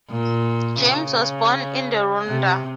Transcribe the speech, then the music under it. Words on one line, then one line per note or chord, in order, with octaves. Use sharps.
James was born in the Rhondda.
A#2
C#3
C3